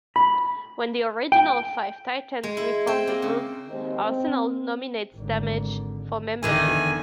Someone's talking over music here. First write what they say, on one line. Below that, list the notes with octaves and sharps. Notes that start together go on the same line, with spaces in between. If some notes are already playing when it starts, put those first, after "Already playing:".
When the original five Titans reformed the group, Arsenal nominates Damage for membership.
B5
G5
G#3
E4
C4
A#3
C#3
D#2 D#3 G#3 C4
C4
G#1 D3
F1 E2 D3 D#3 G#5